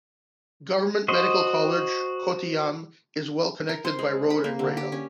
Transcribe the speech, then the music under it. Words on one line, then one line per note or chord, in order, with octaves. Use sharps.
Government Medical College, Kottayam is well connected by road and rail.
F#4 C5 D#5
A#4
C5
G#3
B5
A#3
D3
G4
C#4